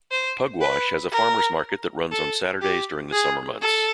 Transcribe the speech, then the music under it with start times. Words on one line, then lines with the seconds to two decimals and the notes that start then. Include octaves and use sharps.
Pugwash has a farmers market that runs on Saturdays during the summer months.
0.12 C5
0.61 B4
1.12 A#4
2.12 A4
2.62 G4
3.13 G#4
3.62 A4